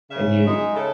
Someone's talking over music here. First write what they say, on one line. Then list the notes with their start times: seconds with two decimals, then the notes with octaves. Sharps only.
and you
0.09 C#3 E5
0.43 G#3 D#4
0.74 C#3 A4